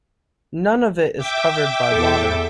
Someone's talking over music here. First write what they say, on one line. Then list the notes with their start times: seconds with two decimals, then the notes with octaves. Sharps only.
None of it is covered by water.
1.17 E5 G5 D6
1.90 E2 A4